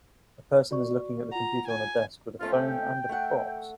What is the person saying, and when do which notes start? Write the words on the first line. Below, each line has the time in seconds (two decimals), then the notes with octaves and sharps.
A person is looking at the computer on a desk with a phone and a box.
0.71 F#4 D5 C#6
1.31 F4 F#5 A#5
1.67 G#5
2.41 F3 A3 C#4 F4
2.53 G5
3.09 A3 E5 F#5